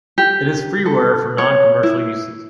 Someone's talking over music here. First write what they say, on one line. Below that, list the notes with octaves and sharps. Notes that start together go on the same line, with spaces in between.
It is freeware for non-commercial uses.
G4
A4
C#5
E4